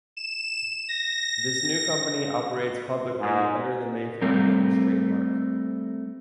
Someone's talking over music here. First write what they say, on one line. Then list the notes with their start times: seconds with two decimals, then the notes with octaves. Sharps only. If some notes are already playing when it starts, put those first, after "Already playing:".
This new company operates publicly under the Mayfair Games trademark.
0.17 E7
0.89 A#6
3.21 G#2
4.21 G3 A3 C4 A#4